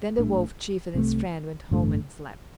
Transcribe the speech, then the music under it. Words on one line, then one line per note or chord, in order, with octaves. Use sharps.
Then the Wolf chief and his friend went home and slept.
A#1 A2 A3 D4
C2 C3 F#3 A3
A1 G2 D3 A3